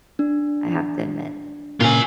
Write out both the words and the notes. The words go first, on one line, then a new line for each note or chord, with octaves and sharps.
I have to admit.
D4
A#2 C#3 F4 G#5